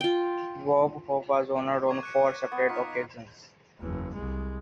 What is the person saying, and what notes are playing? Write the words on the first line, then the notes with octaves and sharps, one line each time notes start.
Bob Hope was honored on four separate occasions.
F4 G5
C#6 D6 G#6
F#6 C#7
B3
D#4 F4 F5 C#6 B6
F#1 E2
C2 G#3